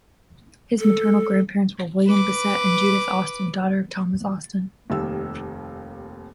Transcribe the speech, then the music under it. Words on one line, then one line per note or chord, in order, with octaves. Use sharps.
His maternal grandparents were William Basset and Judith Austen, daughter of Thomas Austen.
A4
B4 D6
F1 D#2 D#3 G3 E6